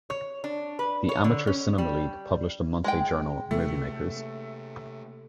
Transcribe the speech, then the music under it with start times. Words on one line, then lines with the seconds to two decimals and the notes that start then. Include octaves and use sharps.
The Amateur Cinema League published a monthly journal, "Movie Makers".
0.10 C#5
0.44 D4
0.79 B4
1.09 C#5
1.24 D3
1.47 C#4
1.78 G3
2.84 G#3 G5
3.51 C3 A3 A#3